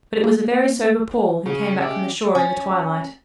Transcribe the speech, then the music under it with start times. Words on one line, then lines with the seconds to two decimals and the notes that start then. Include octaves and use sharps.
But it was a very sober Paul who came back from the shore in the twilight.
0.24 A#3
1.46 C#3 C#4
1.81 C#4 G4 D5 E5
2.35 C#4